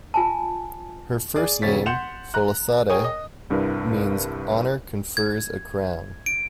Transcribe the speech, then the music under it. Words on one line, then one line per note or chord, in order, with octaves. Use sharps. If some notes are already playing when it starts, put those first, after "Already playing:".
Her first name, "Folasade", means "Honor confers a crown".
F4 G#5 A5
G#4 D5
E1 C#3 C#5 A6 B6
F#5 C6 G6 C#7 E7 F7
A#5 F#6
G#4 A#4 C#5 G5 G#5 D#6
D#5
C2 G2 D4 E4 A#4 B4
G#6
D7